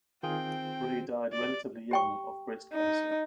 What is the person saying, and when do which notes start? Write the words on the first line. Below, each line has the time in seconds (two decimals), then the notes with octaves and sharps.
Ray died relatively young of breast cancer.
0.23 D#3 C4 F4 G#4 G5
1.32 D5
1.91 G4 G5 C#6
2.73 D#4